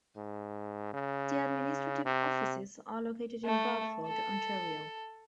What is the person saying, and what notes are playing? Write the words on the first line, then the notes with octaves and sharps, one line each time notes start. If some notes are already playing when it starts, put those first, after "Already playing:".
The administrative offices are located in Burford, Ontario.
G#2
C#3
C3
A3
A4